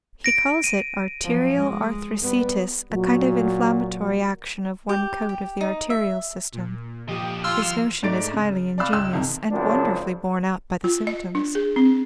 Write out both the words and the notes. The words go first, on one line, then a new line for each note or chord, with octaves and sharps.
He calls it arterial arthriticis,--a kind of inflammatory action of one coat of the arterial system; his notion is highly ingenious, and wonderfully borne out by the symptoms.
A#6 D7
D#7
F3 F#3
G#3
G3 B3
A#2 F#3
G4
G4
D#4
E5
A#2
A#2 F3 G4 D#5
F4 C6 E6 F6
G#2 A3 D5 A6 D7
C#3
D5 F5 B5 E6 F6
C#2 C6 E6
C2 F2 C3 D#3
G#1 C#2 F#2 F3 C4 D4
F4
D#5
D4
G#4
C4